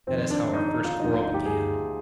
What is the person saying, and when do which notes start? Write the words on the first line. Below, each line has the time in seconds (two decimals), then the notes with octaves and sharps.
That is how our first quarrel began.
0.07 F2 D#3 C4
0.31 D4
0.53 D#4
0.69 D#4
0.84 F4
1.00 D2 D3 F3 D#4
1.11 F4
1.23 D#4
1.34 G4
1.46 G#4